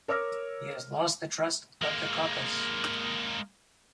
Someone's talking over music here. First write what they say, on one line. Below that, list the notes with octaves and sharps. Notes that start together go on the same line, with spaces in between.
He has lost the trust of the caucus.
A#4 C#5 D6 E6 F6 A#6
G#3 A#3